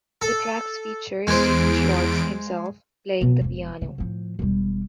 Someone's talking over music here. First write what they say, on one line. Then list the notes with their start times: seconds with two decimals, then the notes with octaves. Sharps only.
The tracks feature Stephen Schwartz himself playing the piano.
0.22 A4
1.27 E2 G#3 C5 D7
3.21 B2
3.41 E1 F3
3.81 C#3
3.98 A2 F3
4.39 E1 G3